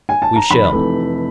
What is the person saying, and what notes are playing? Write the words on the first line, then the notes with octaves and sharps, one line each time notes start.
We shall.
G#5
A5
A#5
F1 B5
C3 E3 A3